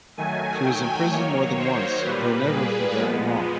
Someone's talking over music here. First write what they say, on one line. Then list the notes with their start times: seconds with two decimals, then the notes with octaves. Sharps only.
She was imprisoned more than once, though never for very long.
0.17 D#3 F#3 A3 G#5
0.64 G5
1.11 D#3 F#3 A#3 C#5
1.58 C5
2.05 A#2 G3 A#3 B4
2.52 G#4
2.99 A#2 F3 G#3 B3